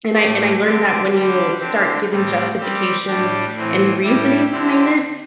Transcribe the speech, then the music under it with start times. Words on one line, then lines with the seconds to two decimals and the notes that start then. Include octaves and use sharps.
and I and I learned that when you start giving justifications and reasoning behind it,
0.14 A2 A3 E4 G4
0.63 D3 C4 G4
1.12 D3 G3 D4 G4
1.59 D3 C4 G4
2.09 A2 G3 C4
2.57 G3 C4 G4
3.06 A2 G3 D4 G4
3.55 A2 E3 C4
4.03 A2 G3 E4 G4
4.52 D3 C4 E4 G4